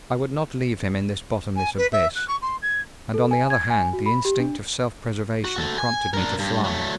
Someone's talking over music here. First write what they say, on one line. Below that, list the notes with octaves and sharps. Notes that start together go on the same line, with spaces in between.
I would not leave him in this bottomless abyss, and on the other hand the instinct of self-preservation prompted me to fly.
G#5
B4
E5
F#6
C#6
C6
G#6
A4
G#5
G#6
G#5
F#4
B5
G4
D4
F#4
F#4 A4
G#5
D4 A#4
G2
F#3 A3